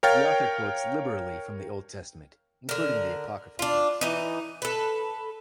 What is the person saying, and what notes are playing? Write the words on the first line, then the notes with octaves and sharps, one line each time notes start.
The author quotes liberally from the Old Testament, including the apocryphal books.
A#4 C#5 F5 G5 F6 A6
D3 A#4
D4 F4
E3 D#4
A4 B4